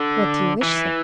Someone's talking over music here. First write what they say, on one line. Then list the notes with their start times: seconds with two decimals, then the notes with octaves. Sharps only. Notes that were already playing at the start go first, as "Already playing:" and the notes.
"What do you wish, sir?"
Already playing: D3
0.62 E3